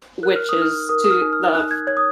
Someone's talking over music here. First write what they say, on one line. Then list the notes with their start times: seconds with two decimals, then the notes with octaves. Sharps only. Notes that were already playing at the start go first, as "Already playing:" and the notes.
witches to the
0.23 A#4 F#6
0.36 F6
0.49 D#6
0.57 D#4
0.62 F6
0.89 A#4 D#6
1.04 D#6
1.11 F6
1.22 D#4
1.33 F6
1.55 D#4 F#6
1.71 G#6
1.87 C#5 G#6
1.97 D#6